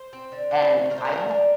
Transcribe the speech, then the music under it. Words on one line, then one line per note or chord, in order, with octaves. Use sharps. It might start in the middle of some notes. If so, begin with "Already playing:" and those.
and I don't
Already playing: C5
C4
D3
D4
A3
D3 A#4
C5
D3 A#4
D4